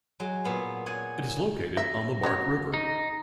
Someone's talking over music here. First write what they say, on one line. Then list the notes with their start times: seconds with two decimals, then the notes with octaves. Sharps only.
It is located on the Bark River.
0.20 F#3 G#3
0.44 A#2 B3 F5
0.86 G#4 C#5 D5 F#5 G#5
1.77 E5 A#6
2.23 F#3 C#4 C#5
2.74 D#4